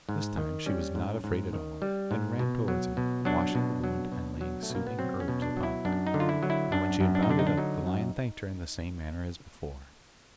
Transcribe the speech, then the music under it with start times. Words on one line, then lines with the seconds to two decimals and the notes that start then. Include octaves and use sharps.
This time she was not afraid at all, and ran towards him, washing the wound and laying soothing herbs upon it; and when she had bound it up the lion thanked her in the same manner as before.
0.09 G#2
0.38 D#3
0.66 G3 C#4
0.95 G#2
1.24 G#2
1.53 D#3
1.82 G3
2.11 G#2
2.39 B2
2.68 F#3
2.97 B2
3.25 F#3 D4
3.55 B2
3.84 F#3
4.12 B2
4.41 F#3
4.63 A3
4.70 B2
4.75 A#3
4.87 B3
4.99 F#3 C4
5.20 C#4
5.28 B2
5.42 D4
5.57 F#3
5.63 E4
5.85 F#2 D4
6.07 D#4
6.14 D3
6.20 F4
6.29 E4
6.43 F#3
6.50 E4
6.72 F#2 D4
7.00 F#2
7.15 D4
7.23 D#4
7.29 D3 D4
7.39 D#4
7.47 D4
7.58 F#3 D#4
7.87 F#2